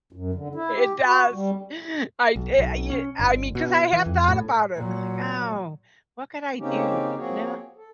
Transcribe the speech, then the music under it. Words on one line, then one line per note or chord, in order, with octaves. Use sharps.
It does. I y y I mean, 'cause I have thought about it, like, "Oh, what can I do?" You know?
F#2
D3
E4
G4
F#4
G3
B1
B1
C#4
G1
B2
E3
F2
A2
A#2 F#3
C#3 A#3 C4 C#4 D#4 G4
F3 A#3 C4 F#4 G#4 C#5
A4